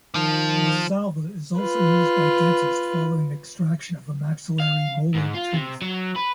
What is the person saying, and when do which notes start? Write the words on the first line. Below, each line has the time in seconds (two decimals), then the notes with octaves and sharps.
Valsalva is also used by dentists following extraction of a maxillary molar tooth.
0.15 D#3 F3
1.60 F4 B4
4.60 F5
5.15 G#2
5.35 F4
5.54 C3
5.82 F#3
6.16 B4